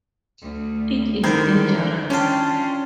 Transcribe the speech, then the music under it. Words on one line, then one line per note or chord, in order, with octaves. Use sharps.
It is dangerous.
D2
D3 D#3 E4 C5
C#4 D4 F4 G5 A5